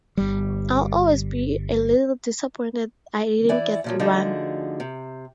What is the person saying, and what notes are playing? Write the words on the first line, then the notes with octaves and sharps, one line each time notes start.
I'll always be a little disappointed I didn't get one.
G1 G3
E3 E4 D5 G#5
A#2 F3 F#3
D2 D3 F3 D#4 F#4 G#4
C3